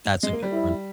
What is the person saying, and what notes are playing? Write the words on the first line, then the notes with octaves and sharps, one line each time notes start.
That's a good one.
G#3
A#3
G3
E4